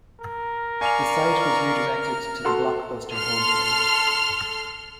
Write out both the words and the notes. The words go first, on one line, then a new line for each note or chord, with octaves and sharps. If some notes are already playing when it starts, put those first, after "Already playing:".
The site was re-directed to the Blockbuster home page.
A#4
D5 F5 G#5 C#6 F7
F6
F#4 A4 C6
A4 C6 F6